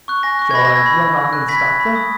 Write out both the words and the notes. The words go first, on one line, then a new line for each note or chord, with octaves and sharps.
"Shall I run on and stop them?"
C#6 F#6
G#5 A#6
C#6 F#6
G#6
B5 A#6
A#6
E6
G#6
B5
E6
B5
F#6
B5 G#6 B6
F#6
B5
D#6 F#6